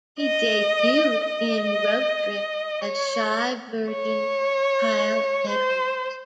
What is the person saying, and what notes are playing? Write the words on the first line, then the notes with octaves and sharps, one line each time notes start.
He debuted in "Road Trip" as shy virgin Kyle Edwards.
D#5
D#5
C#5
C#5
C5